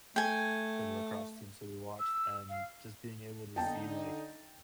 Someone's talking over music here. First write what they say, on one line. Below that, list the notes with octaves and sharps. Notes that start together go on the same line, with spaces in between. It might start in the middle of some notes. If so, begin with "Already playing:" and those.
for the lacrosse team, so we watched, and just being able to see, like,
A3 G5 G#5
E6
F5
D3 D#4 G5 A5